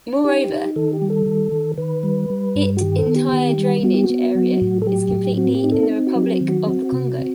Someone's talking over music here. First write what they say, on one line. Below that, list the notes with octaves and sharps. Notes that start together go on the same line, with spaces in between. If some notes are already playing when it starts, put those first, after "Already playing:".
Moreover, it entire drainage area is completely in the Republic of the Congo.
D#4 G4
D#4
D#3 A4
G4
G3
A4
D#3
D#3
D#3 B4
G3
G3
G2
F#4
D#3 G4
A4
B3
G4
D#3
G3
B3 F#4
G4
F#4
B3
F#3
A2
A4
F#3 G4
A2
C4 F#4
G4
D#4
A4
C4
F#4
F#3
G4
F#4
D#3
F#4
C4
C3
C4